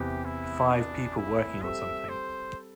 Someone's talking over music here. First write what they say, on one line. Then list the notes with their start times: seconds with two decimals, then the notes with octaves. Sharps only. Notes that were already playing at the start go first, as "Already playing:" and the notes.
Five people working on something.
Already playing: E2 C3 E3 G4
0.25 E4
0.70 D4
1.17 E4
1.62 G3 C4 A4 E5
2.09 C5